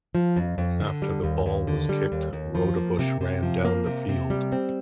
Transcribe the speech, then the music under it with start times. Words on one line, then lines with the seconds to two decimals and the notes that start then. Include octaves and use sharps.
After the ball was kicked, Roudebush ran down the field.
0.15 F3
0.36 F2
0.58 F2
0.80 D3
1.02 G3
1.24 D#2
1.46 D#2
1.67 D3
1.89 G3
2.12 D#2
2.33 D#2
2.55 F3
2.77 A#3
2.99 C3
3.21 C3
3.43 F3
3.65 A#3
3.86 C3
4.09 C3
4.30 G3
4.52 C4